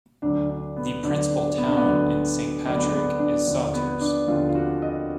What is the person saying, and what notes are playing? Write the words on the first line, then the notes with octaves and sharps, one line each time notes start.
The principal town in Saint Patrick is Sauteurs.
D2 D3 F#3 D4
D4
B3
D2 D3 F#3 D4
D4
B3
D4
B3
D2 D3 F#3
D2 D3 F#3 D4
B3
D4
B3
D4
D#2 D3 F3 D4
B3
D4
D#2 D3 F3 F4
F4
F#4
D#5